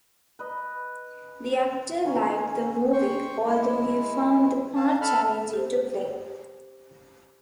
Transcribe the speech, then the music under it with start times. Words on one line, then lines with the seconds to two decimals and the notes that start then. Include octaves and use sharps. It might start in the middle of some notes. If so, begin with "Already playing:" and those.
The actor liked the movie although he found the part challenging to play.
0.39 B4 D#5
2.04 D#3 C#4 C#5 G#5
2.93 C5 G5 C#6
3.45 G#3 E4
4.76 F5 A5
5.02 A4 A5 B5 F6
5.53 G4 C5